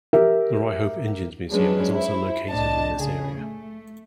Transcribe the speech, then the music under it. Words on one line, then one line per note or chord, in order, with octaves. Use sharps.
The Ryhope Engines Museum is also located in this area.
G4 A#4 E5
F#3 G#3 C#4 D4 B4
E4 C5
C2 A2 D4 D#5 A5
C#3 G#4
A3